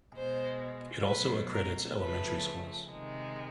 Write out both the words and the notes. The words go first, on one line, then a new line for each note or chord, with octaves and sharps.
It also accredits elementary schools.
B2 G#3 C5
B2 F#3 A3 B4
A#4
C#3 F3 A3 B4
C3 D#3 G#3